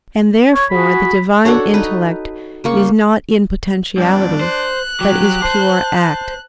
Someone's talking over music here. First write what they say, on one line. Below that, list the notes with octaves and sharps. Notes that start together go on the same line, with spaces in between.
And therefore the Divine intellect is not in potentiality, but is pure act.
C#5
F#4 G#4 B5
D4 F#4 A4 C#5
D#4 B4
C#3 A#3 C#6
E2 G2 D4
C5 F#6
F#3 G4
C5 A5